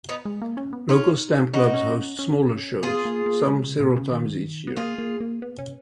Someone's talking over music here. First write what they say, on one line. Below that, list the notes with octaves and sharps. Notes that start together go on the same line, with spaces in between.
Local stamp clubs host smaller shows, some several times each year.
B3 D#4
G#3
A#3
C#4
B3
C#4 D#4 F4
C#4 D#4 F#4
B3
C#4
C#4
B3 F4 G#4
A#3
A#3
G#3
C#3
A#2
B2
C#3
D#3
B3
A#3 F4 G#4
A#3
A#3
B3
C#4